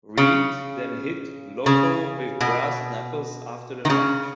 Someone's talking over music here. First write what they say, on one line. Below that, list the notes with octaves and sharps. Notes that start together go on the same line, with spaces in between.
Reed then hit Loco with brass knuckles after the match.
C#3
C#3
B2
D#3
C#3